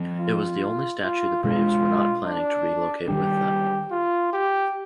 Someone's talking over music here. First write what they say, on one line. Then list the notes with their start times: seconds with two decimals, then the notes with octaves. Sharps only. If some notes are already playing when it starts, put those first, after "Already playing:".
It was the only statue the Braves were not planning to relocate with them.
Already playing: F3 C4
0.20 F4
1.03 F4
1.44 B2 G#3 D4 F4
2.26 D4
3.08 D#3 G3 D4 G4
3.91 F4
4.33 G4